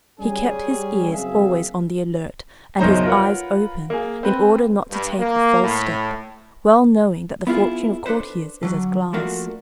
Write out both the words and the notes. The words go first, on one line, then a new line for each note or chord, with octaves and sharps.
He kept his ears always on the alert and his eyes open in order not to take a false step, well knowing that the fortune of courtiers is as glass.
G3 C#4 G#4
F#1 F#2 C4 G#4 E5 F5
F#1 B1 D#4 C5 C#5 A#5
F4 A#4 B4 C#5 F#5
A#3 G#4
C4 B4
G2
A#3
A2
B3 E4 F4 G#4
D4 A4 B4 C5
D3 F#3
F3 A3 A#3 D4 F#4